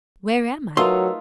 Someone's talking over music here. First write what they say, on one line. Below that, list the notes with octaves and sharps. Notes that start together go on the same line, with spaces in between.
"Where am I?"
F#3 A3 D#4 F4 A#4 B4 C6 E6